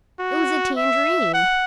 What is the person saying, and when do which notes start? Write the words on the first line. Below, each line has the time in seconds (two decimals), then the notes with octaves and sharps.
It was a tangerine.
0.19 F#4
0.77 E5
1.34 F#5